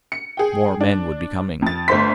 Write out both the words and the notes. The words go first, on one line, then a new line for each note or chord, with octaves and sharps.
More men would be coming.
C#7
G#4 G5
D4
F2 A6
G1 A3 C5 C6 B6